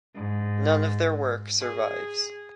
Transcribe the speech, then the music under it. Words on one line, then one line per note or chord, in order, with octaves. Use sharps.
None of their work survives.
G#2
G#4